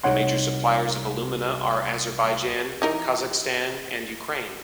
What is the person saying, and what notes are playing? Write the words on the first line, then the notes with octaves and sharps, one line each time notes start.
The major suppliers of alumina are Azerbaijan, Kazakhstan, and Ukraine.
C2 F#2 D#4 C#5 F#5 C6
E3 D#4 A#4